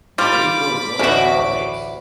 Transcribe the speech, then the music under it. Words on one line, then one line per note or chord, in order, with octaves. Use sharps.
The railroad no longer operates.
G3 F4 B5 D6
A1 D2 C#4 F#4 E5